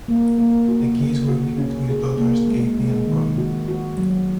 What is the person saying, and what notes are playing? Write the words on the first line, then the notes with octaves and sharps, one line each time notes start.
The keys were given to his daughters, Cathy and Robin.
A#3
A#3
F#4
C#3
F#4
C#4
G#4
A#3
G#3
G#3
D#3
F#4
F#4
F#3